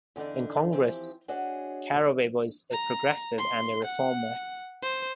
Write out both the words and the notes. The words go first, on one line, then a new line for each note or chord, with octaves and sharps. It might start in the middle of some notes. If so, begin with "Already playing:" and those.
In Congress, Caraway was a progressive and a reformer.
E2 D3 D4 D#4 D5
E3 F3 C4 G4
D4 F#4 G#4 C#5 D#5
A#5
C6
F#5
C5